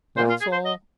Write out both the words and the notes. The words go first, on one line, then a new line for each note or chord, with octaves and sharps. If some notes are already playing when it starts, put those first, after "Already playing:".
That's all.'
A#2 C5
F4
G#4
C5
D#5